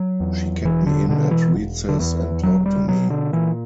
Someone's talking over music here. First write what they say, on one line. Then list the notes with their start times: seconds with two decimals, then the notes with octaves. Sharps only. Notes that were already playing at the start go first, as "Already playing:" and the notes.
She kept me in at recess and talked to me.
Already playing: F#3
0.20 E2
0.65 E1 E3
0.87 D3
1.09 B2 D3
1.31 E3
1.54 E1
1.89 D3
1.99 E2 E3
2.43 E1 F#3
2.66 G3
2.88 B2 F#3
3.10 D3
3.33 A#2 E3